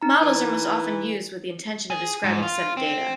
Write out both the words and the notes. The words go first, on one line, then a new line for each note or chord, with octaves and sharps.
Models are most often used with the intention of describing a set of data.
D#4 A#5
E3
G#4
G#2
F4
C4